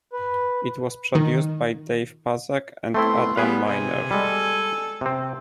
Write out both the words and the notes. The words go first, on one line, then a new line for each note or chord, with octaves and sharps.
It was produced by Dave Puzak and Adam Miner.
B4
D#3
A3 B3 C4 E4 C6
G3 B3 G#4 B4 F5
C3 G#5
G3 G#3 A4
C3 C4